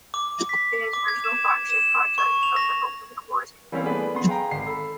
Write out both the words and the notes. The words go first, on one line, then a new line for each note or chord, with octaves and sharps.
It is the original flagship project of the OpenCores community.
D6
B6
D6
G#6
E7
G#6
E7
C#6
F7
A#6
E3 G3 A#3 C4 C#4
A3 B3 D4 G#4 B4
B3 C6
G#4 F5 G5 A#5
G#1 C7
A4 B5